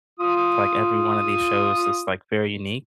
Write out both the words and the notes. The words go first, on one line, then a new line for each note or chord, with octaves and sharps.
to, like, every one of these shows is, like, very unique.
F4 D#6